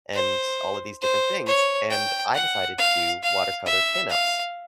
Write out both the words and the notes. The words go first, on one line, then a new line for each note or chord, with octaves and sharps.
and all of these different things, and I decided to do watercolor pin-ups.
C5
C5
C#5
G5
F#5
F5
F5
E5
F5